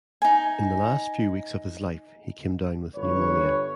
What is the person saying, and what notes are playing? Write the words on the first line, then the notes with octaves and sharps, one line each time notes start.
In the last few weeks of his life, he came down with pneumonia.
D#4 G#5
G1 B4 C#5